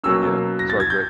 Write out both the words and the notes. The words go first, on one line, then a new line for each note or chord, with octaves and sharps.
yeah, sorry, go ahead.
B2 F#3 A#3 C#4 E6
A#6
A6
G#6
G6